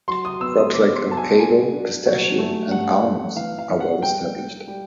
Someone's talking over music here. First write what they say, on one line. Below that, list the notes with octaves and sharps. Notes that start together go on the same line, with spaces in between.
Crops like avocado, pistachio and almonds are well established.
F#3 C6
D#6
B3 E6
D#6
B3 D6
C6
F#3 A5
G#5
F#3 G#5
D4
F#3
A3
G2 F#5
A3
E3 F5
F5
E3
F#5
G3 G5
G3
G3